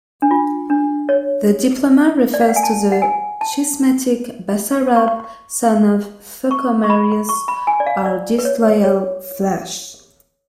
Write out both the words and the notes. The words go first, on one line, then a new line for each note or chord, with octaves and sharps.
The diploma refers to the schismatic Basarab, son of Thocomerius, our disloyal Vlach.
D4
F4
D4
C#5
D5
F5
F#5
G#5
A5
F#5
G#5
A5
C#6
C#6
C#6
B5
C#6
B5
G#5
D5
F5
D5
B4
C#5
C#5